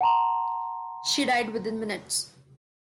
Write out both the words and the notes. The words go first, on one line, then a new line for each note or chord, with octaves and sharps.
She died within minutes.
F#5 A5 A#5 C6